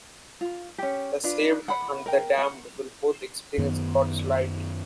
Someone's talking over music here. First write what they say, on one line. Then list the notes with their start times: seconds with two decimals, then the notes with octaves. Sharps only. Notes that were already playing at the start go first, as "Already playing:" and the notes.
The saved and the damned will both experience God's light.
0.41 F4
0.78 C#4 G4
1.24 D4 F4 B4
1.68 F#5 B5
2.06 A#4 G5
2.38 F#5
3.58 F#2 D#3 B3